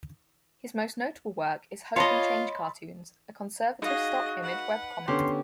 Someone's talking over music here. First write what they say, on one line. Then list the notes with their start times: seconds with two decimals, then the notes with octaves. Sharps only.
His most notable work is Hope n' Change Cartoons, a conservative stock image webcomic.
1.96 F4 C#5 D#5 A5 B5 C6
3.82 D#4 F#4 G#4 D#5 F5
4.42 B4 F#5
5.08 D3 B3 C#4 G4 C6